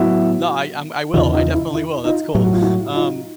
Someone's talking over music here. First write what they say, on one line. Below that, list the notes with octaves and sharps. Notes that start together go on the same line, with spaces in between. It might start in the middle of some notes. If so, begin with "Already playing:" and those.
Nah, I I'm I will, I definitely will, that's cool. Um,
Already playing: A2 F#3 B3 E4 F#4
E2 C#3 E3 D#4 F4
D#4 F4
E4
E4
D#4 F4
A2 F#3 A3 G4
F#4
F4
E4 F#4
D#4 F4